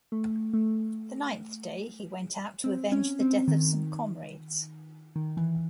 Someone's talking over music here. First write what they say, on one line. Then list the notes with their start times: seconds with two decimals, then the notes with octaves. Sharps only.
The ninth day, he went out to avenge the death of some comrades.
0.12 A3
0.53 A3
2.64 C4
2.92 C#4
3.20 C4
3.48 D#3
5.16 D#3
5.37 E3